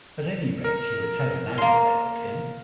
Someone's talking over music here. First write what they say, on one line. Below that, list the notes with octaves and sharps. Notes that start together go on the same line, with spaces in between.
At any rate, he would tell her now what ailed him.
A#4
A#3 C6